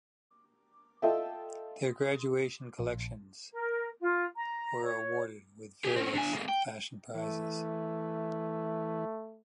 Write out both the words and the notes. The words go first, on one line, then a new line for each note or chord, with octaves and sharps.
Their graduation collections were awarded with various fashion prizes.
F4 A4 D#5 E5 G5
A#1
A#4
F4
A#5
C#5
G4 G#4
C4 C#4
D3 G#5
G#3 A#3
G5
E3 A3